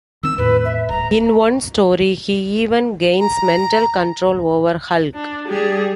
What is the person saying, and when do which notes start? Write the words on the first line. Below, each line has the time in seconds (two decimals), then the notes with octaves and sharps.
In one story, he even gains mental control over Hulk.
0.23 D#3 C4 E6
0.38 E2 A2 B4
0.65 E5
0.89 D1 A#5
3.20 A#5
5.15 D4
5.48 G3 G#4